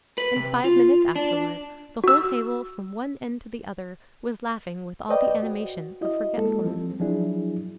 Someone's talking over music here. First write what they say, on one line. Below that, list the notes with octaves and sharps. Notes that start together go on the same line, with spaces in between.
And, five minutes afterward, the whole table from one end to the other, was laughing with all the animation of forgetfulness.
B4
C3
F4
D4
F#4 E6
B4 C5 D5 D#5 G5
F#4
E4 F#4 D#5
G#3 A#3 A4
F3 G3 C4
F3 F#3 D4 E4 G#4